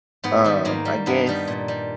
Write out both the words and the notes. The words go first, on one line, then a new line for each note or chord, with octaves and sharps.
um, I guess
G#2 B3
D#3 G3
G#2 A#3
G3
G2 B3
D#3 G3
A#2
G3